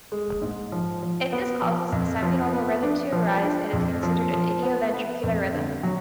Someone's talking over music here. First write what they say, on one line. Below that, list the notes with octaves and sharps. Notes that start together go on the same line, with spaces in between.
If this causes a semi-normal rhythm to arise it is considered an idioventricular rhythm.
G#3
G#2
F3
F3
B3
F3
F2
F3
B3
D4
F3
D4
F2
F3
F3
B3
B3
F2
D3
F#3